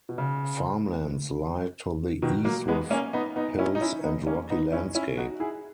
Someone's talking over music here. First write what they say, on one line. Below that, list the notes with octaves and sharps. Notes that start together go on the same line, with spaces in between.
Farmlands lie to the east with hills and rocky landscape.
B2
C#3
B2 D#3
F#3 A#3
G#3 B3
A#3 C#4
B3 D#4
B3 D#4
C#4 E4
D#4
C#4 E4
B3 D#4
A#3 C#4
B3 D#4
C#4 E4
C#4 E4
D#4 F#4
E4 G#4